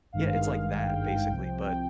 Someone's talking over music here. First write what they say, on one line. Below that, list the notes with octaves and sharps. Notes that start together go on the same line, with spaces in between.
Yeah, it's like that, basically, but
G#1 G2 D#3 G#3 F5
G5
G5
G5
C2 C3 F3
G5